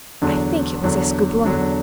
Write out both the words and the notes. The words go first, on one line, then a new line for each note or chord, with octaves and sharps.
I think it was Escoublon.
E2 D3 F#3 D4
E2 D3 F#3 D4
E2 D3 F#3 D4